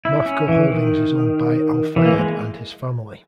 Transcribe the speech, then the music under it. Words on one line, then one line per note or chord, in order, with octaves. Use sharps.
Mafco Holdings is owned by Al-Fayed and his family.
E4
C#4
E3
D#3
E3
A#3
G#3